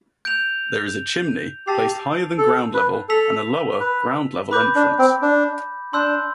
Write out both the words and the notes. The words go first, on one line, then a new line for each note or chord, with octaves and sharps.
There is a "chimney" placed higher than ground-level and a lower, ground-level, entrance.
G6 D7 F7
G4 A5 E6 A6 C7 F7
A4
B4
A4 E6 B6 F7
B4
B4 B5 D6 G6
D4
C4
D4
D4 C6 E6 G6